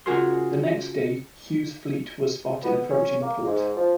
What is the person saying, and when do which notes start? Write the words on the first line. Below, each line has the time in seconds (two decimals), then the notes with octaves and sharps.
The next day, Hughes' fleet was spotted approaching the port.
0.06 C#3 F4 F#4 G#4 A#4 C6
2.63 B3
2.90 C#4
3.21 A#3
3.46 G#2
3.76 F3